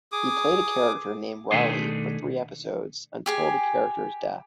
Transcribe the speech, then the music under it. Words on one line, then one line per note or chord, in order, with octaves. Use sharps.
He played a character named Rauli for three episodes, until the character's death.
G#4 D6 D#6
B2 D#3 A3 D4 G#4 C6
G4 G#4 G#5